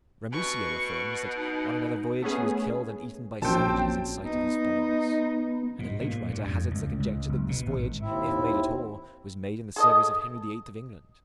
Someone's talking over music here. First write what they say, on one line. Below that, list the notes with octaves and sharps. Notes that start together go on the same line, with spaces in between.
Ramusio affirms, that, on another voyage, he was killed and eaten by savages, in sight of his followers; and a late writer hazards the conjecture that this voyage, if made at all, was made in the service of Henry the Eighth of England.
B2 C#6
D#4
A3 B3 C#4 G#4
A#1 F#3 C4 C#4 G5 A5
B3 D#4
G#2
A#2
G2
F2
C#2
C#2
F#1
B2
G#1
D#2 C4 E4 E5
G#4 A4 D#5